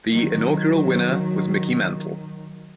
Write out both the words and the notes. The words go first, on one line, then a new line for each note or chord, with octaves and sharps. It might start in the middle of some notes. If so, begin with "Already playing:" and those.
The inaugural winner was Mickey Mantle.
D#3 F#3